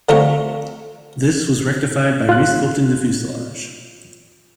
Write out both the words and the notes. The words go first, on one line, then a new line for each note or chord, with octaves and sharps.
This was rectified by re-sculpting the fuselage.
D3 A3 C4 F4 A#5 C#6
F4 F#6